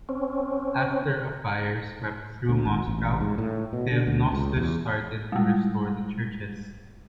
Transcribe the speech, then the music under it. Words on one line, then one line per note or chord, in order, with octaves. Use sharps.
After a fire swept through Moscow, Theognostus started to restore the churches.
C4 C#4
D2
G#1
A1
G#2
A2
B2
D3
D2
C#2
E2
G3 G#3